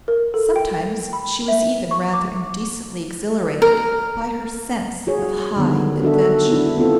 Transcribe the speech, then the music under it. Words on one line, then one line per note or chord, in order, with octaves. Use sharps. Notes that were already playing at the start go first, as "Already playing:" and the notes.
Sometimes she was even rather indecently exhilarated by her sense of high adventure.
A#4
A4
G5
G5
B5
E5
C#6
D6
A#4
F#4 G#4 C#5
G3
D3 D#3 G3 B3
D4 F#4 A4 E5
B3 D4 E4
B3 C4 F4 A4